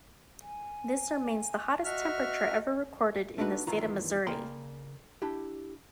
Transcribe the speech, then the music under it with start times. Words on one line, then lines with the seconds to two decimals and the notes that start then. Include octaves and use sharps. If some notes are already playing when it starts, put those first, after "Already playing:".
This remains the hottest temperature ever recorded in the state of Missouri.
0.42 G#5
1.85 F#4 D#5 E5 F6
3.38 A3 D4 D#4 F#4 B4
3.67 E2 G2 D#3 E3 F4 A#5
4.27 C#3 A#3 D5 G5 A#5 C6
5.22 D4 E4 G4